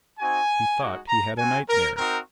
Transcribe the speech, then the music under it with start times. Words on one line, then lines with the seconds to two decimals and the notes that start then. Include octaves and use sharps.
He thought he had a nightmare.
0.18 C4 D#4 F#4 G#5
0.78 G#3 D#4 F#4
1.08 A#5
1.38 C4 F#4 G#5
1.68 A#4
1.97 C4 D#4 F#4 A#4